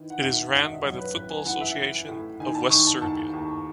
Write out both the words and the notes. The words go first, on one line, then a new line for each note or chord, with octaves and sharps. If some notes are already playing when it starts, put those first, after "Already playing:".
It is ran by the Football Association of West Serbia.
Already playing: D#3 E3
F#5
D#2 E5
F#5
E1 F#5
E5
D#5
F#3 C#5
B4
A1 B4
G#5
E3 F#5
E5
E3
A2
D#3 G#5
A5
D#3 C#6
A5
D#2 A5
D#2